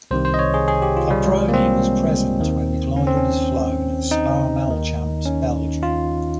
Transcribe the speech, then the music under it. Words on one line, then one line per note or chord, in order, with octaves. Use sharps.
Caproni was present when the glider was flown at Spa-Malchamps, Belgium.
C2 C3 D#3 C5
C5
D#5
C#5
G#4
G#4
G4
F4
G3
G#3
A#3
C4
D#2 D#3
C#4
C4
C#4
D#4
D#2 D#3
C#4
F4